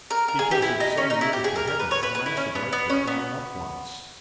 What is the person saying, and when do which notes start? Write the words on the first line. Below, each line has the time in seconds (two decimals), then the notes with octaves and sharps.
"Because it's so near to heaven, and I should like to climb up once."
0.10 A#4
0.28 A#4
0.39 G#4
0.51 G4
0.62 E4
0.80 D#4
0.97 C#4
1.10 D#4
1.21 E4
1.33 G4
1.44 G#4
1.56 A#4
1.67 A#4
1.80 B4
1.91 C#5
2.03 B4
2.15 B4
2.26 E4
2.37 C#4
2.55 B3
2.73 B3
2.90 C#4
3.07 B3